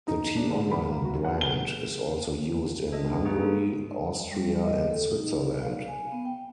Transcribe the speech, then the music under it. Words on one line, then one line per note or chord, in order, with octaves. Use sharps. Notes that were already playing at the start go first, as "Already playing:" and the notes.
The T-Online brand is also used in Hungary, Austria and Switzerland.
D#4
D4
D3
B5
A#3
F#4
F#5
G7
D4 D#5 E5
C#4
A#3 B3 D#4 G#4 B4
A4
G3
D#5
A4
D#4
D5
F5
G#5
B3
G5